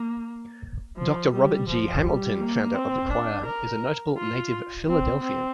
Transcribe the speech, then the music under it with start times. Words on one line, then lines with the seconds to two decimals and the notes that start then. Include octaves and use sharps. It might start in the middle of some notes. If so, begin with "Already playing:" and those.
Doctor Robert G. Hamilton, founder of the choir, is a notable native Philadelphian.
Already playing: A#3
0.98 F3
1.33 G3
1.69 F3
2.04 G3
2.40 A#3
2.74 C4
3.10 D4
3.46 A#4
4.17 F4
4.88 C4
5.23 C4